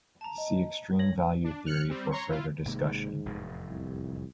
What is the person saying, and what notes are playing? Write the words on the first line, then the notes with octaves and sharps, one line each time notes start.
See extreme value theory for further discussion.
A5 A#5
D#5
C#5 A#6 F#7
D4
F6 F#6 C#7
G3 C4
C#5 A#5 C6 C#6
E4 F4
G#1 G#2 C3 A#3
F1 E2 A2
C2